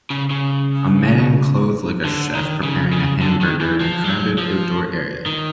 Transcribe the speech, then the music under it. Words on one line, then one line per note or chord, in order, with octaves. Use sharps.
A man clothed like a chef preparing a hamburger in a crowded outdoor area.
C#3
C#3
D3
D#3
C#3
C#3
D3
D#3
E3
F3
G3
F#3
F3
D#3